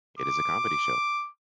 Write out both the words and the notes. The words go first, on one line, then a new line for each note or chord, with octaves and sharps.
It is a comedy show.
D6